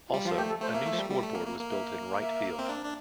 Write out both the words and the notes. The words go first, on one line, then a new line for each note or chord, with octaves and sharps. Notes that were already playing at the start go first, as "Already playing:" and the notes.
Also, a new scoreboard was built in right field.
F4
G3
F3 F4
A3 G4
A4
A3 C5
A#3 E5
A3
F3
G3
G3
A3
A#3
A#3
A#3
E5
E5
C4
D4
D4